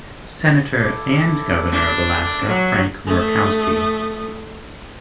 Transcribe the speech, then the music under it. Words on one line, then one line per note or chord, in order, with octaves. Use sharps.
Senator and Governor of Alaska Frank Murkowski.
E4 A4 D6
D4
F#3
A3 D#6